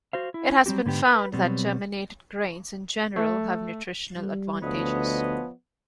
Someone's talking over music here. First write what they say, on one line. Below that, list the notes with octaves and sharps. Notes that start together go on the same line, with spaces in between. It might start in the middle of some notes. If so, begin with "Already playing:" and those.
It has been found that germinated grains in general have nutritional advantages.
F#4 C5 F5
E4
F#3 G3 C4 F#4 G4
G#2 D3 B3 G4
B4
B2 F#3 G3 B3 C4
A3
G3
D2 F3 B3 B4 C#5 D#5